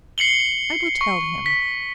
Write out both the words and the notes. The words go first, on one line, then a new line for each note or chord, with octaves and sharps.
"I will tell him."
C7 C#7 F#7 G7
C#6
B6